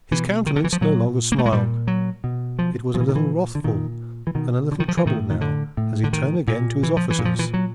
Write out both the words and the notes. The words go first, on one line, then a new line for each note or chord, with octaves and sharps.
His countenance no longer smiled; it was a little wrathful and a little troubled now as he turned again to his officers.
B2 E3
D#3
D3
E3
F3
A#2 F#3
A#3
A3
G#3
A#2 G3
F#3
B2
F3
A#2 F3
E3
D#3
E3
D3
A#2 D#3
E3
B2 D#3
D3
D#3
F3
E3
A2 D#3
D#3
D3
A2
D3
D#3
A#2
E3
F3
E3
A#2
F3
E3
F#3